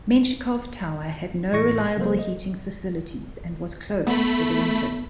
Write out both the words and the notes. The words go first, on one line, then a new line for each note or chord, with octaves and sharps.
Menshikov tower had no reliable heating facilities and was closed for the winters.
A2 E3 C#6 A#6
C#3 F#3 A#3 A4 C5
D#5
A3 B3 B5